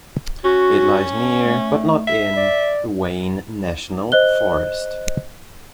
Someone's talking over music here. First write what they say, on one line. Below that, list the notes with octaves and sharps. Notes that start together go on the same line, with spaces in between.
It lies near, but not in, the Wayne National Forest.
C#4 F#4
A3
E5
D5
C5 D#5 F#6 G7